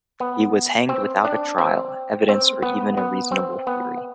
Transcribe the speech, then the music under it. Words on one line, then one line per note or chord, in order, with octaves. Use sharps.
He was hanged without a trial, evidence or even a reasonable theory.
B3
C4
D4
C4
C4
B3
B3
C4
B3